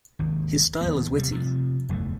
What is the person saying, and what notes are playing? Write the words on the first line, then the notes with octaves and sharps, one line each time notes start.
His style is witty.
G#1 D#2
D#2 F3 B3
C3 G3
C3 F3
F#1 B1 E2 A3